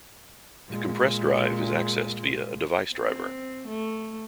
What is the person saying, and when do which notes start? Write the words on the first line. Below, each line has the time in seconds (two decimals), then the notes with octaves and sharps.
The compressed drive is accessed via a device driver.
0.70 A#2 G#3
2.94 C4
3.68 A3